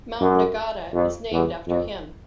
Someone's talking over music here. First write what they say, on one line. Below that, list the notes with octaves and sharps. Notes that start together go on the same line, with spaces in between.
Mount Nagata is named after him.
F#2
F2
E2
F2